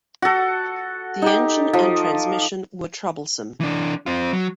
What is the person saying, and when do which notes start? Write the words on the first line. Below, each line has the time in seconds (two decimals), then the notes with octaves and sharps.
The engine and transmission were troublesome.
0.22 F#4 A4
1.22 D#4 G4
1.73 F3
3.61 E3 D4
4.06 C4 F4
4.33 F#3